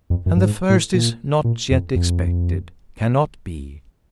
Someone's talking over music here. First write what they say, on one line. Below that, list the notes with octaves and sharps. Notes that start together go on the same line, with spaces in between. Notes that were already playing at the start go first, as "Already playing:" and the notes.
And the first is not yet expected--cannot be.
F2
F#2
G2
G#2
A2
A#2
A#2
F2
F2